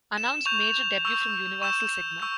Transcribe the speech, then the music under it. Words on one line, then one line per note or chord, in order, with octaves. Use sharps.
Announced major debut from Universal Sigma.
E7
C#6 G6 F7
C#6 E6 G6
C#6 E6 G6 E7
C#6 E6 G6